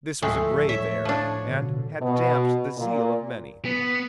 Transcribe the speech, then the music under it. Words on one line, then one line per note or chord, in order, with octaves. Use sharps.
This was a grave error, and had damped the zeal of many.
D2 A2 F3 G#3 A3
A2 A3 C#5 E5
F3 D4
B2 D3
B2
A#2
B3